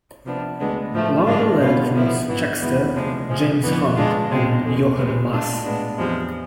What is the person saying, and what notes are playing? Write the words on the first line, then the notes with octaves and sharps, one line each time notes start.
Lauda led from Scheckter, James Hunt and Jochen Mass.
C3 F3 B3 D4
D2 D3 G#3 B3 D4
A2 F3 A3
G#2 G#3 D4 F4
B2 B3 F4
D3 F3 B3 E4
G#2 E3 B3 E4
E2 B2 G#3 B3 E4
D2 C3 F3 G#3 D4
C3 F3 G#3
F2 E3 B3
D3 G#3 D4 F4
B2 G#3 C4
E2 D3 G#3
D2 C3 G#3 B3
A2 G#3 D4 F4
A2 G#3 B3 D4
E2 C3 F3 G#3